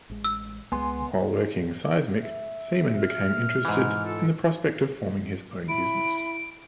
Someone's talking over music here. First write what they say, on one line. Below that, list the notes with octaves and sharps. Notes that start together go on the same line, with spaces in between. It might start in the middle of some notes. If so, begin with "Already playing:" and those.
While working seismic, Seaman became interested in the prospect of forming his own business.
A1 G#3
E6
C#2 G#3 B3 G#5 C6
E5
F6
G#2 E3
F4 A4
E4 B5 D7